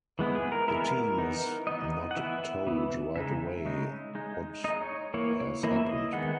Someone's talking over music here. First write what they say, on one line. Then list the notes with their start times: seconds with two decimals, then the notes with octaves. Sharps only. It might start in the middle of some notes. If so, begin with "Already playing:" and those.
The team is not told right away what has happened.
0.19 E3 G#3 B3 E4
0.35 G#4
0.52 A#4
0.68 E3 G#3 B3 E4 A#4
1.18 E3 B3 D#4
1.67 E3 B3 D#4 D#5
2.11 F#5
2.17 E3 B3 E4 E5
2.67 E3 B3 E4
3.16 C#3 G#3 D#4 E5
3.66 C#3 G#3 D#4
4.15 G#3 D#4
4.64 G#3 D#4 D#5
4.81 C#5
5.14 E3 A#3 E4 C#5
5.63 E3 A#3 E4 D#5
5.76 E5
5.89 D#5
6.13 D#3 G#3 B3 F#5